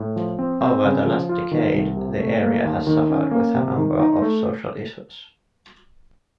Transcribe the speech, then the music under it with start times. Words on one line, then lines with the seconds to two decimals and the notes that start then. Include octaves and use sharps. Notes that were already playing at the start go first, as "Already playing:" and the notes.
Over the last decade, the area has suffered with a number of social issues.
Already playing: A2
0.16 F3
0.39 C4
0.61 C4
0.85 C#3
1.06 F3
1.29 F4
1.51 D#3
1.74 C2
1.97 C3
2.19 A3
2.42 A#3
2.65 D#2
2.87 D#3
3.10 C#4
3.31 A#3
3.55 C3
3.76 D#3
4.00 D#4
4.22 A3